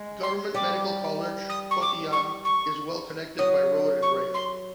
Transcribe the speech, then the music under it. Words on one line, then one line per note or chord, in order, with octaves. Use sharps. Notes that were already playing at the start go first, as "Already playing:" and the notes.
Government Medical College, Kottayam is well connected by road and rail.
Already playing: G#3
C6
G3 D6
D#6
C#6
D6
C#6
C#6
F#3 D#6
C#6
C6